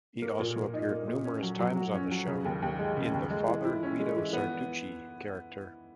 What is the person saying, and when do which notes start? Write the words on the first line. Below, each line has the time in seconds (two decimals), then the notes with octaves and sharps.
He also appeared numerous times on the show in the Father Guido Sarducci character.
0.22 A#3
0.39 A#2
0.56 A#2
0.74 D#4
0.91 A#3
1.08 A#2
1.25 C#4
1.42 F#3
1.59 F#3
1.76 F#4
1.94 C#4
2.11 F#3
2.28 C#3
2.45 D#2
2.62 D#2
2.79 G#3
2.97 C#3
3.14 D#2
3.30 G#3
3.48 E3
3.65 E4
3.83 C#4
3.99 G#3
4.17 E3
4.33 B3